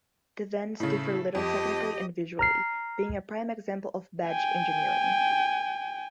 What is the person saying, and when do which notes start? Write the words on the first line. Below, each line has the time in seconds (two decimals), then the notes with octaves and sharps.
The vans differ little technically and visually, being a prime example of badge engineering.
0.80 A2 C#3 A4
1.35 F2 G4 D#5
2.39 A#5 F6 C7
4.26 G5 G#5